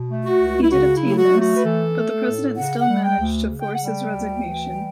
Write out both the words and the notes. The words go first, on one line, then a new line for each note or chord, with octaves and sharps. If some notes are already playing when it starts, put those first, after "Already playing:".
He did obtain this, but the President still managed to force his resignation.
Already playing: B2
A3
F#4
C#2
E4
C#3 F#4
E4
F#3
G4
F#4
A3
F#4
B4
E3 A4
A3
A2
C#3 F#5
F#5
G3
G5
D2
C#3
G5
F#5
G3 G5
D2
E3
G3